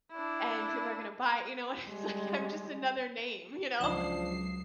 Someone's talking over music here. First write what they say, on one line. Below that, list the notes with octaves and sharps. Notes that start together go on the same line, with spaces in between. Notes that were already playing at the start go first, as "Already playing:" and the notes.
and people are gonna buy it," you know, and it's like I'm just another name, you know.
D4 E4
G3 G#3
C#2 F3 F#3 D4 D#6 C7 E7